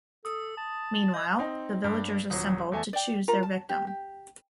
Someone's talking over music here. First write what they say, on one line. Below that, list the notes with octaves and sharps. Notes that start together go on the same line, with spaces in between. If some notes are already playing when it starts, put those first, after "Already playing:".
Meanwhile the villagers assemble to choose their victim.
A4 D#6
A5
D#5 G6 G#6
C4 D#4
G2
D#1 F#3
E2 A3 G#5 A5
D5 G5
F4 A#4 A#5
A5
G4
G4